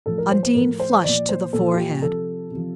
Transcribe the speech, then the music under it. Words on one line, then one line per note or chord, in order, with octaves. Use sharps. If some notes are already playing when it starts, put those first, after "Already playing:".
Undine flushed to the forehead.
A2 F3 A4
A#4
C5
C5
A2 F3 A#4
C5
A#2 F3 D5
C5
A#2 F3 A4
F4
G4
C3 F3 A4
C3
F3